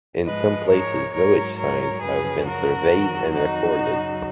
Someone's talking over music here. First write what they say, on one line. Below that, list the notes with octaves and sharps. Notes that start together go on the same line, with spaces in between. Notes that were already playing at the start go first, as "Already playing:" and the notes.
In some places village signs have been surveyed and recorded.
G#2 F3 G#3 B4 D#5
A#4 C#5
G#2 F#3 A#4 C#5
A#4 C#5
F#2 C#3 F3 G#4 B4
F#4 A#4
F2 D#3 F#3
D#4 F#4
F#2 C#3 F#3